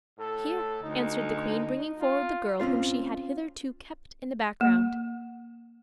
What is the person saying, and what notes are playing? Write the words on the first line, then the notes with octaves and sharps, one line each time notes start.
'Here,' answered the queen, bringing forward the girl, whom she had hitherto kept in the background.
A2 A4
D2 D#4
F4
C4 C#4 F4 C5
A#3